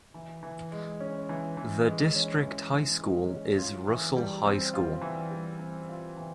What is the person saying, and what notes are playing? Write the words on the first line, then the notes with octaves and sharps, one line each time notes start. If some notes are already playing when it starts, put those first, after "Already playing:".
The district high school is Russell High School.
E3
E3
G#3
C#4
E3
E3
G#3
C#4
E3
E3
G#3
C#4
F4
E3
G3
C4
F4
E3
G3
C4
F4
E3